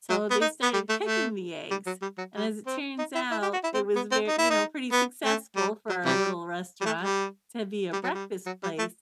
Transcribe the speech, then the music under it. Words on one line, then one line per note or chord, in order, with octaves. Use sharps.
so they started cooking the eggs and as it turns out, it was ve you know, pretty successful for a little restaurant to be a breakfast place
F#3
B3
D#4
B3
G3
A3
A3
G3
F#3
G3
F#3
G3
C4
D#4
E4
E4
G4
F#4
E4
C4
B3
C4
D#4
E4
D#4
B3
A3
G3
F#3
C3 E3 G3
G3
A3
G3
G3
F#3
G3
F#3
G3
A3